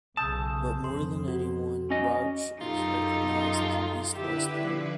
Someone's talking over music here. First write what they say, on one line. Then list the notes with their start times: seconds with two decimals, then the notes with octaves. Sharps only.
But more than anyone Rauch is recognized as an East-West painter.
0.17 B1 C#3 A5 D#6 E6 G6
0.84 F2 C6
1.28 F#4
1.90 C#4 D#5
2.61 F#2 D#4 F4 G4 A4
4.12 D3 E4 G4 B4 E5
4.63 F3